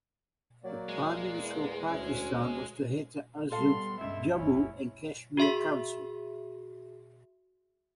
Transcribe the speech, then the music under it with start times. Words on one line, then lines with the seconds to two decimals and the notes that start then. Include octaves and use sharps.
The Prime Minister of Pakistan was to head the Azad Jammu and Kashmir Council.
0.64 F#3 A#3 D5
0.89 G#3
1.42 E2
1.86 D2 C#4
3.52 G3 B3 A4 F5 C6
4.01 C#2 G2 E5
4.35 F#1 C#4 E4
5.37 F#4 G#4 E5 C6 B6